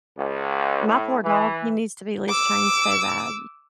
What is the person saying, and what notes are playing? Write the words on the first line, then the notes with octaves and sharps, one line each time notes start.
My poor dog, he needs to be leash trained so bad.
C#2
A2
E3
D6 E6